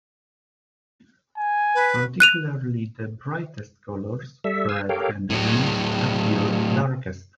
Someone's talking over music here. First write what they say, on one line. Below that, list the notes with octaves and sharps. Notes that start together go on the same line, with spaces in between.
Particularly the brightest colors, red and green, appear darkest.
G#5
B4
F#6 D#7 F7
G3 A4 E5
F5 G#5 E6
G4 A4 A#4 C#5 F5 G5
A2 F#3